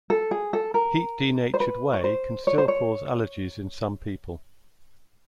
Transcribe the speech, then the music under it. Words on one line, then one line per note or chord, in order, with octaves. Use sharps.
Heat-denatured whey can still cause allergies in some people.
A4
G#4
A4
A#4
C5
B4
C#5
C5
C#5
C5
C#5